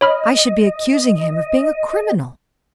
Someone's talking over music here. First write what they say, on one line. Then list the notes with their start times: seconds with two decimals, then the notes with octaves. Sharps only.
I should be accusing him of being a criminal.
0.01 C#5 D#5 B5 F6